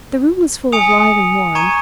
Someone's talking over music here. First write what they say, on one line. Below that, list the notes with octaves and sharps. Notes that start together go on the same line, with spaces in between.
The room was full of light and warmth.
G#5 D#6 C#7 F7
A#5 C#6 G#6 D#7